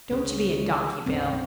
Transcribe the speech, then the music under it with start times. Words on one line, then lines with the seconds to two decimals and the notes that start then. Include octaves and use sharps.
Don't you be a donkey, Bill.
0.11 C#2 C#3
1.06 B1 F#2 C4 C#4